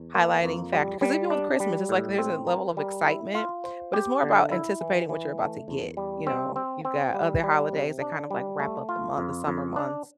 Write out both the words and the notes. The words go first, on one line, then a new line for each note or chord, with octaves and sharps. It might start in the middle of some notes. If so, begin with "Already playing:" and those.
highlighting factor 'cause even with Christmas, it's like there's a level of excitement, but it's more about anticipating what you're about to get, you know, you've got other holidays that kind of like, wrap up the month, the summer months.
Already playing: E2
A#3
F2
G3
G3
D4
G3
A2
C4
A#4
G3
E4
F4
C5
G4
D3
E4
E3
E3
A3
E2
G3
C4
C4
C4
G3
G3
C3
D4
G3
A3
F4
F2
F2
D4